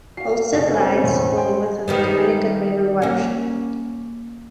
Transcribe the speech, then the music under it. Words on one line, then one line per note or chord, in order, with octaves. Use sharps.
Alstead lies fully within the Connecticut River watershed.
F#4 F5 C7
F#1 A3 G#4 C#5 D#5
C3 C4 C#4 B4 G#5
E2 A2
G5 G#5 C6
D#3 G3 B3
A#3 C#4